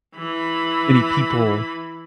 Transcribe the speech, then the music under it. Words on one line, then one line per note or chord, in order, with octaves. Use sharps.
many people
E3 B5